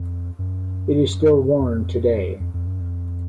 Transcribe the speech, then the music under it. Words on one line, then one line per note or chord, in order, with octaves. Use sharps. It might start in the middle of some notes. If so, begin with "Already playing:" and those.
It is still worn today.
Already playing: F2
F#2
F2
F2
F2
F#2
F2